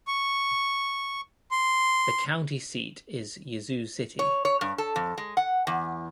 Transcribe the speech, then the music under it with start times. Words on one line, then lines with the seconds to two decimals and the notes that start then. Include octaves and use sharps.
The county seat is Yazoo City.
0.07 C#6
1.51 C6
4.19 C#5
4.45 C#5
4.61 G2
4.78 A4
4.96 F2
5.18 G#3
5.37 F#5
5.67 E2